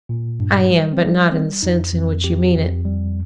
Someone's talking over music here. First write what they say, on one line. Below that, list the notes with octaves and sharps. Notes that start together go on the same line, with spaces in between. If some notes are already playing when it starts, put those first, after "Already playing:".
I am--but not in the sense in which you mean it.
A#2
G2
G3
C4
G3 D#4
G3 C4
F2 D#4
F2
F2 G4
F2
G3